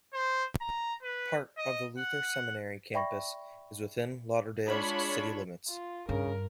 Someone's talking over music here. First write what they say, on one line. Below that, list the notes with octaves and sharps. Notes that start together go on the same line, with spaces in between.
Part of the Luther Seminary campus is within Lauderdale's city limits.
C5
A#5
B4
D#5
F#5
D5 E5 G5 B5 C#6 A#6
G#3 D4 F4 C#5 A5 B5
F4
G2 C#3 A#4